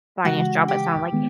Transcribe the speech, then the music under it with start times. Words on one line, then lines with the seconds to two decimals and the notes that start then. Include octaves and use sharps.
finance job, it sounded like,
0.25 C#3 E3 G#3 F#4
0.68 G4
1.13 D#3 G#3 B3